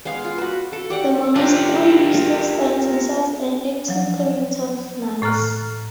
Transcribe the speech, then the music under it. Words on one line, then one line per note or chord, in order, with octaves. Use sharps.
The monastery still stands and serves an active community of nuns.
G#3 B3 F5
F4
F#4 B4
A4
G4 D5 F#5
D4 F4 G4 A#4
F3 F#3
A2 A4 A#5 F6 F#6